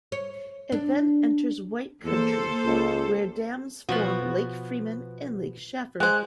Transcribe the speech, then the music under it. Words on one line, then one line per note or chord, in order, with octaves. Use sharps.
It then enters White County, where dams form Lake Freeman and Lake Shafer.
C#5
D4
E2 A#3 A4 C5
C#2
B2 F3 B3 F#4
G#3 G#4 C5 F#6